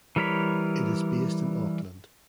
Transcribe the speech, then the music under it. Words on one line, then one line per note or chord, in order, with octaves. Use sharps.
It is based in Auckland.
E3 G3 A#4 C#5 B5